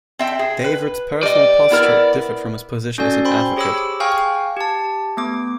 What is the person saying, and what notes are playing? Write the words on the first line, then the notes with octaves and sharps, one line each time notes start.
Davis's personal posture differed from his position as an advocate.
C4 E5 G5
G#4
B4
G3 D5 D#5
B3 E4 A#4
C#4 F#4 A4 D5 G#5
C5 G5 B5 C6
G4 G#4 C#5 B5 D6 E6
G#4 F5 G5 G#5 C#6 F6
G4 A5
A3 B3 D6